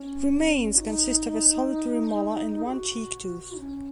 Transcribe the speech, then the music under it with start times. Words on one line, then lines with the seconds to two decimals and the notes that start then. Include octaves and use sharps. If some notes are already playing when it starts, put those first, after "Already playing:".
Remains consist of a solitary molar and one cheek tooth.
Already playing: C#4
0.75 F#4
0.80 D#4
2.64 G#4
2.69 F#4
3.58 C#4